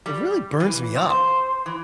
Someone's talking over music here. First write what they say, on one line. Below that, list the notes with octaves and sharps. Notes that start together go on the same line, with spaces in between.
it really burns me up,
G3
E3
A#2
C5
E3